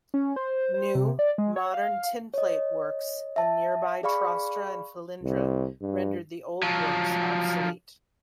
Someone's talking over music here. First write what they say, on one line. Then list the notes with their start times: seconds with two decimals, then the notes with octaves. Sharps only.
New, modern tinplate works in nearby Trostre and Felindre rendered the old works obsolete.
0.14 C#4
0.36 C5
0.74 C5
0.95 C3
1.19 D5
1.38 G#3
1.56 C#5
1.74 F5
2.34 C#5 D#5
3.36 E5 A5
4.03 G#4 D5 F5 B5 C#6
5.23 C2
5.82 G2
6.63 F3 F#3